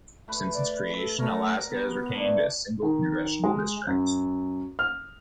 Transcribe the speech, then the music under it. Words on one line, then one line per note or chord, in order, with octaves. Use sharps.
Since its creation, Alaska has retained a single congressional district.
A3 B4
D5
A4
A3 A#4 C#5 A#5
B3
E3 A3 D4
D#3
G#3
F#2
F6